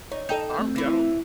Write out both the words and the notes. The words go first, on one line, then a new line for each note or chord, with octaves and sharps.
RnB, I don't
D#4 C#5
D#4 A4 G5 G6
A3 C4
E3 E4